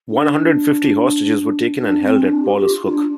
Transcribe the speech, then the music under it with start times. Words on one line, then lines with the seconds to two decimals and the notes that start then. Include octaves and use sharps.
One hundred fifty hostages were taken and held at Paulus Hook.
0.09 D4
1.79 D4
2.01 C4
2.21 D4
2.42 G4
2.64 F4
2.85 D4